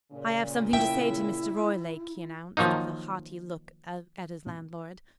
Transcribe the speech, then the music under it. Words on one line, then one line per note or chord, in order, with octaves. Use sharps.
"I have something to say to Mr. Roylake," he announced, with a haughty look at his landlord.
A#2 C#3
E4 E5 G5
D#3 F3 F#3 A#3 D#4